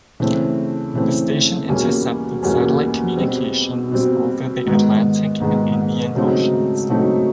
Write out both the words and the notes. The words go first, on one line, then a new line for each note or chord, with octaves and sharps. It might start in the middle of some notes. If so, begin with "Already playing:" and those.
The station intercepted satellite communications over the Atlantic and Indian Oceans.
C#3 E3 A3 C4
C#3 E3 A3 C4
E2 B2 G3 A#3 C#4
E2 B2 G3 A#3 C#4
B2 G3 C4
B2 G3 C4
G#2 D#3 G#3 B3
G#2 D#3 G#3 B3
C#3 F#3 A3 C4 D#4
C#3 F#3 A3 C4 D#4